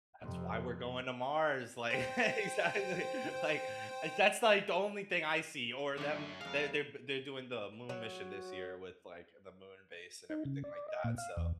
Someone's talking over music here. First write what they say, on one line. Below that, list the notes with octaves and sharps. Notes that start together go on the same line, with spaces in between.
That's why we're going to Mars, like exactly. Like, uh, that's, like, the only thing I see, or them they're they're b they're doing the moon mission this year with, like, the moon base and everything like that. So,
F2 C3
C5 G5
F#2 D3 A3 C#4
F2 G#3 F5
F#3
D#4
C#3
D5
D#5
A#2
F5
E2